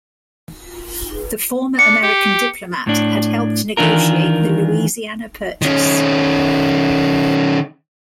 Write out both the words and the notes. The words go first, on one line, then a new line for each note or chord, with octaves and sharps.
The former American diplomat had helped negotiate the Louisiana Purchase.
D4 C#7
G4
A2 D4
D#3 E3 D4 F4 A#4
D#3 C#4